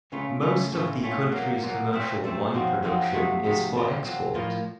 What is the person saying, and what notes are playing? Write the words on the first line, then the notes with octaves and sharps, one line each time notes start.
Most of the country's commercial wine production is for export.
C#2 C#3 A3 C#4 F4
C#2 C#3 A3 C#4 F4
A2 A3 C#4 F4
A2 A3 C#4 F4
A#2 F#3 A#3
A#2 F#3 A#3
A#2 A3 C4
A#2 A3 C4
F#2 F3 C4 D#4 F#4
F#2 F3 C4 D#4 F#4
C3 F3 A3 D#4 F#4
C3 F3 A3 D#4 F#4
A#2 F#3 C4 F4
A#2 F#3 C4 F4
A2 F3 A#3 F4